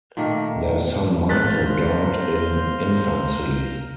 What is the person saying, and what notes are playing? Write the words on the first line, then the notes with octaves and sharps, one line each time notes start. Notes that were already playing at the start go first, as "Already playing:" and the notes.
Their son Michael died in infancy.
A#2 D#3 A3 A#3
A#4 C5 F5 A#5 F#6 G6 A6 B6